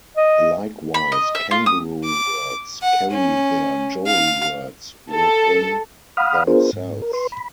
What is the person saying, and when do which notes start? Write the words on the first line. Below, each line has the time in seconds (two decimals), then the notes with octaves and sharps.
Likewise, "kangaroo words" carry their "joey words" within themselves.
0.17 D#5
0.94 B5
1.12 D#5
1.35 E5
1.51 F4
1.66 D#6
2.04 D6
2.82 F#5
3.11 C#4
4.06 F5
5.12 A4
6.17 F5 F#5 B5 D#6 F6
6.47 B3 D4 F4 G#4 A#4 C5
6.73 G#2
7.02 A#4
7.13 B4 C6
7.32 B5